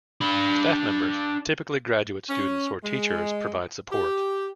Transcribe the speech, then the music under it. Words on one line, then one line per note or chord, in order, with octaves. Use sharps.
Staff members, typically graduate students or teachers, provide support.
D4 B5
C#4
G#3
G4